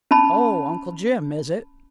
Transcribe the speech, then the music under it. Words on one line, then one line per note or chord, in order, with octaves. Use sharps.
"Oh, Uncle Jim, is it?"
C#4 A5 B5